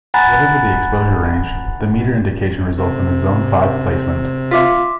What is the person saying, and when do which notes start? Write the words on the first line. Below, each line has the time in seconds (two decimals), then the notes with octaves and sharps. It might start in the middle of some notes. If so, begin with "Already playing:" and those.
Whatever the exposure range, the meter indication results in a Zone Five placement.
0.14 F#5 G#5 A#5 B5 F#6 A6
2.78 C3
4.51 F4 E5 C6 D6 B6